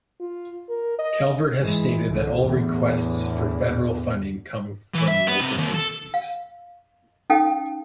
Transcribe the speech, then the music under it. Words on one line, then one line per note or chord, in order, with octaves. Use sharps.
Calvert has stated that all requests for federal funding come from local entities.
F4
A#4
D#5
G#2 E3 G#3
C2 D3
E2 A2 D3
E3
E5
B3
C3
D#2
A4
F5
C#4 D#4 A4 F5 G5 D#6